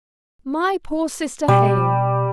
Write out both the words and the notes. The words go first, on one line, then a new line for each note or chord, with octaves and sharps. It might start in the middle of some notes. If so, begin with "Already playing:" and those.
My poor sister Hale!
B2 G3